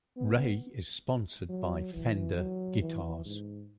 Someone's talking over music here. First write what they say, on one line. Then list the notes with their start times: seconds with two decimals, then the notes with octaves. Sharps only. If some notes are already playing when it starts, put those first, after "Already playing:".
Ray is sponsored by Fender Guitars.
0.17 B3
1.49 F#3
1.93 E3
2.37 F#3
2.81 E3
3.25 G#2